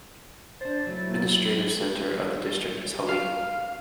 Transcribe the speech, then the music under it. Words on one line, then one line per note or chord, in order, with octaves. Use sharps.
Administrative center of the district is Hallein.
D4 C5 A6
F#3 A3 E4
F5